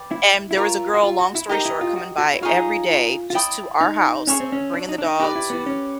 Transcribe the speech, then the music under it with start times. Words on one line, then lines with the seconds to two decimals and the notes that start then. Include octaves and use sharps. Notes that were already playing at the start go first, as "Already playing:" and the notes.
And there was a girl, long story short, coming by every day just to our house, bringing the dog to,
Already playing: B4 D5 G5
0.11 E4
0.51 E4
0.57 F4 A#4 C#5 E5
0.94 F#4
1.04 F4
1.19 F#4
1.35 E4
1.49 D#4 G4 A#4 D#5 G5
1.65 E4
1.81 F4
1.96 F#4
2.18 F#4
2.32 E4
2.42 D#4 F4 G#4 C#5 F5
3.30 F4
3.35 E4 D5 G5 B5 D#6
3.81 D#4
4.27 C#4 G#4 C#5 E5 G#5
4.40 C4
4.52 C#4
4.73 D4
4.89 D#4
4.98 D4
5.04 D#4
5.20 D#4 G4 B4 D5
5.36 E4
5.50 B3
5.66 C#4